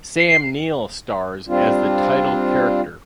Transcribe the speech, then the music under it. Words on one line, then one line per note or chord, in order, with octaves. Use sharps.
Sam Neill stars as the title character.
C7
G3 C4 D4 F4